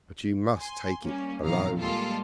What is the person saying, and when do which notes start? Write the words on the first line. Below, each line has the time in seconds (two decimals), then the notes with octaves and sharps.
But you must take it alone.
0.57 G#5 C6
1.04 G3 A#3 C#4
1.43 A#1 F2 B2 D#3 F5 A#5
1.79 G3 G#3 A#3 F4 A4